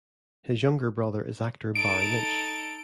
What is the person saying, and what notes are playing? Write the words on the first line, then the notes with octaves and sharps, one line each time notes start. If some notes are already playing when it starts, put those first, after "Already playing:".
His younger brother is actor Barry Lynch.
D#4 A4 D7